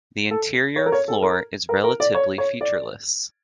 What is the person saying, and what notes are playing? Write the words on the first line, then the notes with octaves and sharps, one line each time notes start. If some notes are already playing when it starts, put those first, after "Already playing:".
The interior floor is relatively featureless.
A4
C#5
A#4
C#5
A4
A#4
A#4
A#4
D5
C#5
C#5
D5